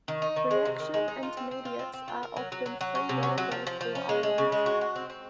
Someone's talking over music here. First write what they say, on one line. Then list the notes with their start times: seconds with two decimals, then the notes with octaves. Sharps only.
Reaction intermediates are often free radicals or ions.
0.08 D#3
0.22 D#4
0.36 D#3
0.51 G#3
0.65 C3
0.80 D#3
0.94 G#3
1.08 D#4
1.23 F4
1.37 C4
1.51 C4
1.65 F4
1.79 C4
1.93 C4
2.08 F4
2.23 A#4
2.36 F#3
2.52 F#3
2.66 F#3
2.81 F#3
2.95 C#4
3.09 C3
3.23 F#3
3.38 F#3
3.51 F3
3.67 F3
3.81 F3
3.95 C#4
4.09 G#3
4.23 G#3
4.38 C#3
4.52 G#3
4.66 F#4
4.81 F#4
4.96 C4
5.10 C4